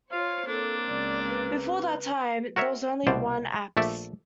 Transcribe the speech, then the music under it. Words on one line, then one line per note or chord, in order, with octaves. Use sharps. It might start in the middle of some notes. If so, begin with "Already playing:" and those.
Before that time there was only one apse.
F4 C5 C#5 F5
A#3 C4 D4 A4
C#2 C#3 D5
B4
F#4 A#4 C#5 E5
C2 B2 C5 D5
A#1 A3 D5 E5